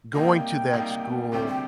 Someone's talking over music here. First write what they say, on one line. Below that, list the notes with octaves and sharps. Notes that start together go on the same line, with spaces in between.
going to that school,
C3 G3 A#3 D#4 G5
C3 G3 A#3 D#4
D2 C3 G3 C4 G5
G5